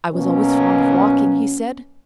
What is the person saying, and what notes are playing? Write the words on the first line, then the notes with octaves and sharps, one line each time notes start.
"I was always fond of walking," he said.
B2 F#3 A#3 C#4